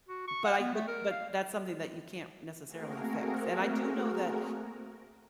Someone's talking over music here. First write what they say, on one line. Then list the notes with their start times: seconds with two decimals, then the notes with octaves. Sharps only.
But I but but that's something that you can't necessarily fix, and I do know that,
0.09 F#4
0.28 C#6
0.44 F#5
0.60 B3
0.74 A3
0.87 A#4
1.11 F5
2.66 A3 A#3 C4 F#4 G#4 A#4